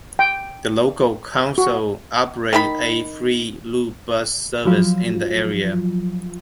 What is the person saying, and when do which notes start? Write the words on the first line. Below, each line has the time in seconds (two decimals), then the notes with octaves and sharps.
The local council operates a free loop bus service in the area.
0.19 G5
1.58 F#4
2.53 D#3 F#4 B5
4.65 F3 F#3 F4